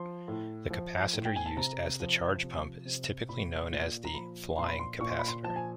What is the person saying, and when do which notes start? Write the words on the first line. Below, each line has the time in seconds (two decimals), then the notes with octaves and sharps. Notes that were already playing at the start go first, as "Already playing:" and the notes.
The capacitor used as the charge pump is typically known as the "flying capacitor".
Already playing: F3 C6
0.28 A2
0.70 F3
1.13 A2
1.25 G5
1.36 G#5
1.46 A5
1.56 C3 A#5
2.00 F3
2.43 C3
2.85 C3
3.29 A#2 B5
3.72 A#2
4.05 A#5
4.14 F3 B5
4.58 A#2 C6
4.68 B5
4.79 C6
5.01 A#2 C#6
5.10 C6
5.19 B5
5.28 C6
5.44 F3 A5
5.56 G#5